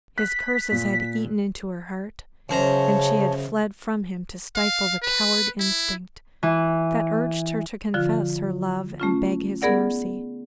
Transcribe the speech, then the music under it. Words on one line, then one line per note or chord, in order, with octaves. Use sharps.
His curses had eaten into her heart, and she had fled from him to stifle the coward instinct that urged her to confess her love and beg his mercy.
F#6 B6
A#2
F#2 C#3 C5 C#5 A5 A#5
F5
B4
E4
E3
D3 F3 F4 F6
A3 C#4 F4
B3 G#4 A#4 D5 F#5